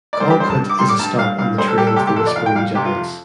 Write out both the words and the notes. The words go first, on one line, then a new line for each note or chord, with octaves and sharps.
Colquitt is a stop on the Trail of the Whispering Giants.
D5
G2 C5
G4
G3 C5
A5
G2
D6
G3 C6
D6
G2 A5
G3 F5
G2 F5
G3 C5
A4
G3 G4
A4
C3 G4
G4
F2 A4
D5
F2 F5
G5
G3 F5
C3 G4
F4
F2